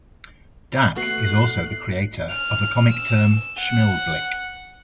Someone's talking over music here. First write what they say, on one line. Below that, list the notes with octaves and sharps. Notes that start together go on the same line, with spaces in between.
Dac is also the creator of the comic term Schmilblick.
A3 B3 F#4 F#6 C7
F6
E6
F#5